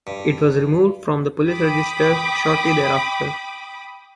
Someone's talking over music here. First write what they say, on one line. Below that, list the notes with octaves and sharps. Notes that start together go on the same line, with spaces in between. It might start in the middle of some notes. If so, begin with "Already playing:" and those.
It was removed from the police register shortly thereafter.
G2
G5 B5 D6 D#6